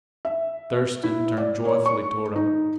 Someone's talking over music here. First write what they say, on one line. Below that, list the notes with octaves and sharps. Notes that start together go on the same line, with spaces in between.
Thurston turned joyfully toward him.
E5
E4
D5
C#5
C#6
D#4